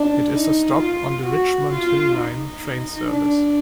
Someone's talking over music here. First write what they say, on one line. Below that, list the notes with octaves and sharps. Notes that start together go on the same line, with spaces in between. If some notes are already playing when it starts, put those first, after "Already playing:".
It is a stop on the Richmond Hill line train service.
Already playing: D4
D#4
F4
F#4
F4
D#4
D4